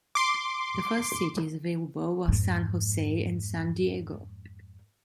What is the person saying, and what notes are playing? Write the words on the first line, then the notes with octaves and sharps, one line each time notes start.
The first cities available were San Jose and San Diego.
C6 D6
F2 G#2